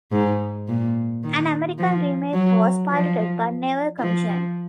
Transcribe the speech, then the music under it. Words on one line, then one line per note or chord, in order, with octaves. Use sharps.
An American remake was piloted but never commissioned.
G#2
A#2
D#3
F3
F#3
F3
F3